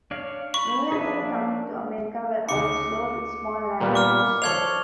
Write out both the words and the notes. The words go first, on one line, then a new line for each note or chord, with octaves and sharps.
Many of them coming to America were also small landowners.
D4 C#5 F5
B5 C#6
F3 C#4 D4 G#4 B4 E5
A#3
D2 C#3 D#4 D6 C#7
A#2 G3 B3
D6 F6
F3 A4 C#5 D5 F5 C#6 G#6 F7